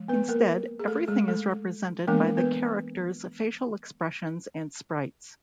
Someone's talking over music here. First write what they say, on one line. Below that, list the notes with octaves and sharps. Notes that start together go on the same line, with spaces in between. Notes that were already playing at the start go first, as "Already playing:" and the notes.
Instead, everything is represented by the character's facial expressions and sprites.
Already playing: F3 G#3
B3 B4
A#3 A#4
G#4
A3 A4
G#3 G#4
A3 A4
E3 G#3 A#3 B3 D4 A#4
B3 B4